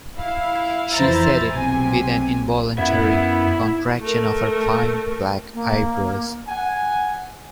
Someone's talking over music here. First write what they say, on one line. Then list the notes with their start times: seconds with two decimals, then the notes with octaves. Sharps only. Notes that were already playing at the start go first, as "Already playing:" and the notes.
She said it with an involuntary contraction of her fine black eyebrows.
0.17 E4 F5
0.94 F2 E3 E4 C5 A#5 A6
1.49 B1 C3 G#5
2.78 F#2 B3 E4 E5
4.01 A3 A#4
5.54 A#3
6.48 F#5 G#5